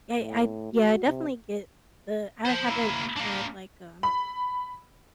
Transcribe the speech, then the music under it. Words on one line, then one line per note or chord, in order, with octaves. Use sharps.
ye I yeah, I definitely get the I haven't had, like, um,
A2
F#4
C3
C5 A5
A#3 E4
A#3 D4
B5